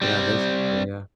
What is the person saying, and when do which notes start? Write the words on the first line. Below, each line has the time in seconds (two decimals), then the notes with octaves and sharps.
Yeah, basically, yeah.
0.02 G3 C4